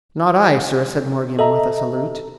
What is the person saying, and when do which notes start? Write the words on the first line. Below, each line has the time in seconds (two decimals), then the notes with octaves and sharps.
"Not I, sir," said Morgan with a salute.
1.39 A4 D#5 E5 A#5